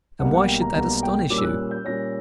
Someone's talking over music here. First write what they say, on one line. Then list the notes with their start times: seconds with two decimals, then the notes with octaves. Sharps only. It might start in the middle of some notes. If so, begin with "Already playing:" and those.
And why should that astonish you?
0.19 B1 B2 G3 A#3 F#5
0.34 F#5
0.47 G5
0.61 A#5
0.74 B1 B2 G3 A#3 A#5
0.97 A#5
1.03 G5
1.30 A#2 G3 C#4 D6
1.38 E6
1.44 F#6
1.71 G6
1.85 A#2 G3 C#4 A#6